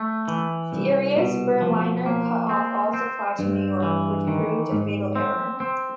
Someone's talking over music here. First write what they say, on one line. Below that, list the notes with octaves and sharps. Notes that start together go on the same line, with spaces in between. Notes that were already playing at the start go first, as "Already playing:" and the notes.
Furious, Berliner cut off all supply to New York, which proved a fatal error.
Already playing: A3
E3
C2
B2
F3
A#3
C4
C4
G2
E3
D#3
G#2
C4
C4